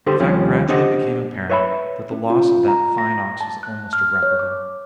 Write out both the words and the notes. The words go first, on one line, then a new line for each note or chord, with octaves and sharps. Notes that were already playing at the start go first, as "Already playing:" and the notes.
The fact gradually became apparent that the loss of that fine ox was almost irreparable.
D3 G4 A4 C5
D#2 C3 F3 G3 C#4
D4 G4 C5 D#5 F#5
B4 C#5 E5 A5 B5
C#4
F4
A#5
A#6
A5
F#6
F6
C#5
D6